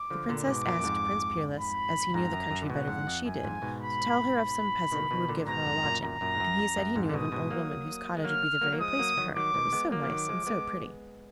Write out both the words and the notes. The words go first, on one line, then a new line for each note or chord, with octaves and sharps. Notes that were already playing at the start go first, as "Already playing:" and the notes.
The Princess asked Prince Peerless, as he knew the country better than she did, to tell her of some peasant who would give her a lodging, and he said he knew of an old woman whose cottage would be the very place for her, it was so nice and so pretty.
Already playing: D6
D3 F3
A#2 D3
G#2 B2 D6
F#2 A#2
F#2
F2 G#2
B5
F2 G#2 A#5
F#2
F#2
D3
G#2 B2 F#5
F2 G#2
F2
F#2 G#5
F2 G#2
G#2 B2
B5
B5
B2 D#3
B2 D#3
A#2 D3
G#2 B2 A#5
F2 G#2
F#2 A#2
F#2 A#2 A#5
F#2 A#2
G#2
F#2
F2
F#2
F2 G#2
D3
G#2 B2 D#6
G#2 B2
F#3 A#3
G#3
F#3 A#3 F6
F#3 A#3
A#3
F3 G#3 D#6
F#3 A#3
D#3 F#3
D#3 F#3 D6
B2 D#3
G#3 B3
F#3 A#3 D6
F3
D#3 F#3
F3 G#3
G#3 B3